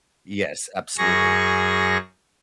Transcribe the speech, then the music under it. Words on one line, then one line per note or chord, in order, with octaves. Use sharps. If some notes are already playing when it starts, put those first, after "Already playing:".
Yes, absolutely.
F#2 G#4 C#6 A#6